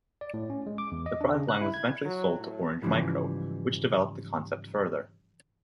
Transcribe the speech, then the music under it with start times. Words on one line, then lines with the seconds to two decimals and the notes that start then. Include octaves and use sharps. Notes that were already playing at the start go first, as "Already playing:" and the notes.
The product line was eventually sold to Orange Micro, which developed the concept further.
0.21 D5
0.34 A2
0.50 C#4
0.67 G#3
0.78 D6
0.92 E2
1.06 D#5
1.21 D4
1.35 C#3
1.49 F#6
1.61 E4
1.74 G#6
2.05 F#3
2.40 A2
2.82 G#2 C#3 E3 F3 G3